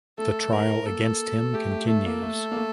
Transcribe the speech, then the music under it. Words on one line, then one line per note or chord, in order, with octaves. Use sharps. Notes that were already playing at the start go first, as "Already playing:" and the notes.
The trial against him continues.
A3 A4
A3 A#4
A#3 A4
A3 G4
A3
A3 A4
A#3
A3
A#3
A3